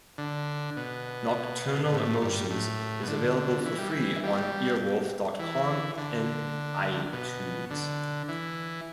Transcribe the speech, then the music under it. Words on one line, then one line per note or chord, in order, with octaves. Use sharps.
"Nocturnal Emotions" is available for free on Earwolf dot com and iTunes.
D3
B2
B2
A2
G2
A2
B2
D3
E3
G3
E3
G3
E3
D3
B2
D3
E3